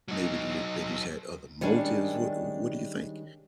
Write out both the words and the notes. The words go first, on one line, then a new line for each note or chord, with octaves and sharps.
maybe they d they just had other motives? What what do you think?
F#3 D#4
D#3 G3 G#3 C#4 D4